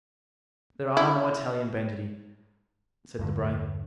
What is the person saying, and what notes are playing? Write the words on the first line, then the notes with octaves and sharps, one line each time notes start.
"There are no Italian banditti," said Debray.
E4
E2 G2 D3